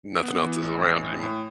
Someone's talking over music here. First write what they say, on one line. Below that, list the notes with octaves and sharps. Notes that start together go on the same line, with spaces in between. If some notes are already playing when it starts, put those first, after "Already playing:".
nothing else is around anymore.
B3
E3
A1
A1
A2
A2